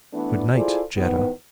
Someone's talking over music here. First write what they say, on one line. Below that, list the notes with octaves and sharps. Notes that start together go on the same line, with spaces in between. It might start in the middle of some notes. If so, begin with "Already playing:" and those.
"Good night--Jetta."
E3 A3 B3 D4
E4 F4 G#4 A4 C5 D5
E2 G#2 D#3 B3